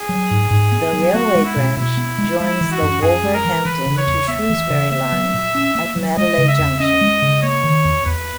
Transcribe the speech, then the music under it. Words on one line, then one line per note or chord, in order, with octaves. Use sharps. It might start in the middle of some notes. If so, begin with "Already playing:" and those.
The railway branch joins the Wolverhampton to Shrewsbury line at Madeley Junction.
Already playing: G#4
F#3
G#2
G#2
B3
F#3
B3 F#4
G#3
E4
B2
B2 E4
B3
G#3
G#3 E4
E3
F#4
F#2
F#2 G#4
G#3
A#4
E3
E3 B4
C#3
C#5
E2
B3 E5
E3
C#3
A#3 E5
F#3
A#2
C#4
A#3
F#3
G#3 D#5
C#3
E5
E2
C#4 D#5
G#3
C#3
A#3 C#5
D#3
E2
E2 B4